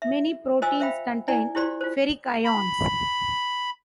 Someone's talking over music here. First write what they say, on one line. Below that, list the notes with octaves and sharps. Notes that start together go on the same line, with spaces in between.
Many proteins contain ferric ions.
E5
F4 C5 D#5 G#5 E6
C5 E5 F5 G5 B5
E4 D5 G#5
E4 F4 G4 C5 D5 C6
F4 C5
B5